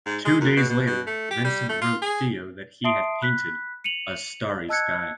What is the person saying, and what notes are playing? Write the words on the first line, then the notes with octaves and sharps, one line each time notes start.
Two days later, Vincent wrote Theo that he had painted "a starry sky".
G#2
G#3
F#2
B2
B2
B2
A3
G4
G3
A3
F4
G#4
E5 A5 C6 D#6 C7 D7
B5 F#6 B6
C#7 D#7 F7 F#7
D#5 A5 E6 F#6 G#6 C#7